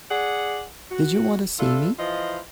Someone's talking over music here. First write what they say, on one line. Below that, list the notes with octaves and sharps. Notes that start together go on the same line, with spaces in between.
Did you want to see me?
G#4 D5 F#5
F#4
D4 E4 F4 A4
E3 F3 E4 F4 B4 D#5